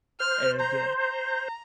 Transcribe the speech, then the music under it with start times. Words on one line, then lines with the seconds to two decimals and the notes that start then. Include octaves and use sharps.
and, uh
0.20 C5 F6
0.60 A#5
1.01 A#5